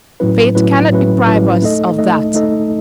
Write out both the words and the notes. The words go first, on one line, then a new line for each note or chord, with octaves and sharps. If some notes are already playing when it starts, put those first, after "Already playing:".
Fate cannot deprive us of THAT.
A2 F#3 C#4 E4 B4
A2 F#3 C#4 E4 B4
A2 F#3 C#4 E4 B4
A2 F#3 C#4 E4 B4
A3 D#4 A4 D#5
A3 D#4 A4 D#5
A3 D#4 A4 D#5